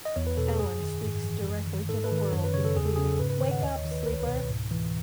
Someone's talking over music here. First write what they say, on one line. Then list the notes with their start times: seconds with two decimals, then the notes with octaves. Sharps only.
Allan speaks directly to the world in pleading Wake up, sleeper!
0.05 D#5
0.16 E2 C#5
0.27 B4
0.37 B2 A4
0.48 G#4
0.59 F#2 G#4
0.80 D#3
1.02 G#2
1.24 E3
1.46 F#2
1.67 D#3
1.89 G#2 A4
2.04 B4
2.11 D#3
2.18 B4
2.32 F#2 C#5
2.44 B4
2.54 C#3 C#5
2.65 A4
2.76 E2 G#4
2.85 A4
2.96 C#3 G#4
3.12 A4
3.19 G#2 B4
3.30 B4
3.41 D#3 C#5
3.51 F#5
3.62 D#2 D#5
3.76 C#5
3.84 D#3
3.91 B4
4.05 C#2 B4
4.13 C#5
4.20 B4
4.27 B2
4.49 G#2
4.71 E3